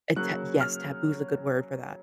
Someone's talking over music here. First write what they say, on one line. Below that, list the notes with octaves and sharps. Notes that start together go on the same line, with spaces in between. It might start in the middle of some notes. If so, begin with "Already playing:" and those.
Eh, ta Yes, taboo's good word for that,
C#3 F#3 A#3 C#4 F#6
F6